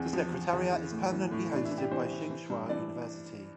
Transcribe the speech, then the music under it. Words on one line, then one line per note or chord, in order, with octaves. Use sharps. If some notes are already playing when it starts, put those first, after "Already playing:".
The Secretariat is permanently hosted by Tsinghua University.
Already playing: E2 C4
F3
F3
E2
E3
A2
E3
A2
E3 D4
E4
E3
G4
E3 C5
E3
E3
G2
E3 D5